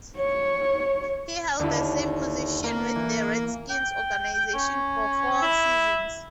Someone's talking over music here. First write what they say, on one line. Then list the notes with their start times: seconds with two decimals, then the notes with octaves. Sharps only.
He held the same position with the Redskins organization for four seasons.
0.17 C#5
1.60 D#2 D3 E4
2.64 A#3 A#4
2.95 E3
3.70 G5
4.54 C#4
5.42 E4